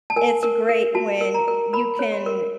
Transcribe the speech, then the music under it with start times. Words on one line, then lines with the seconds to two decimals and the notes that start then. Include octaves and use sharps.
it's great when you can
0.10 A5
0.16 A#4 G#5
0.43 A#4
0.69 A#4
0.95 F#4 A5
1.21 A#4
1.34 A#5
1.48 A#4
1.73 A#4 B5
1.99 C#5
2.12 C6
2.26 A#4